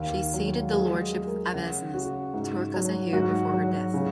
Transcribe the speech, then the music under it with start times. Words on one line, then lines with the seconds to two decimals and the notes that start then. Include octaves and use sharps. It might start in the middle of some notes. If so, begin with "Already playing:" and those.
She ceded the lordship of Avesnes to her cousin Hugh before her death.
Already playing: D#2
0.34 F#3
0.73 G#3 G#4
1.13 G#3
1.27 A#4
1.53 C#3 F#5
1.94 C#3 F#4
2.34 G#2
2.74 F#3
3.13 G#2 F#4
3.54 F#3
3.94 C#3